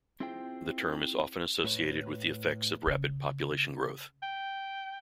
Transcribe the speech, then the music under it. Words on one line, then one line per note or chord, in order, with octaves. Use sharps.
The term is often associated with the effects of rapid population growth.
C4 E4 F4 G#4 C5 G5
A2 B4 C#5
C#3
G5